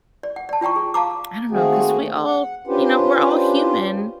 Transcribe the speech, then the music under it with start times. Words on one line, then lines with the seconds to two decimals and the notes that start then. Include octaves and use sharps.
I don't know, 'cause we all you know, we're all human.
0.23 D5
0.36 F#5
0.49 D5 A5
0.61 F4 D5 G5 A#5 C#6
0.76 G#4
0.94 F5 A5 A#5 D6
1.51 D#3 A3 A#3 C4 F#4 G#4
2.27 F#5
2.67 C#4 D4 F4 G4 B4 C5